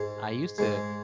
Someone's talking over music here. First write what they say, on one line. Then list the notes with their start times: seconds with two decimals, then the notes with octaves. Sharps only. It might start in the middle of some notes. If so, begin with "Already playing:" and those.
I used to
Already playing: G#2 G#3
0.58 G#2 G#3